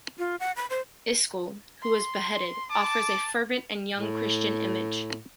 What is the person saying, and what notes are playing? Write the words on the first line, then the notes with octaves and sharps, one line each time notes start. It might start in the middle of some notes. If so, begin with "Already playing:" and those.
Iscle, who was beheaded, offers a fervent and young Christian image.
F4
F#5
B5
C5
C6
A5 D6
A2